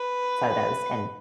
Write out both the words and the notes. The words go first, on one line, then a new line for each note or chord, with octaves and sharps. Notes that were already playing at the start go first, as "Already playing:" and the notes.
photos and
Already playing: B4